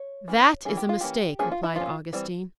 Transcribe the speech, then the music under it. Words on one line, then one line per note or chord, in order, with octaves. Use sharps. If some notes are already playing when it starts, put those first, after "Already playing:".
"That is a mistake," replied Augustine.
Already playing: C#5
E3 A#3 C#4
E3 A#3 C#4 G#4
G4
F4
E3 A#3 C#4 G4
F3 A#3 C#4 G#4
F4
E4
F3 A#3 C#4 F4
E3 G3 C4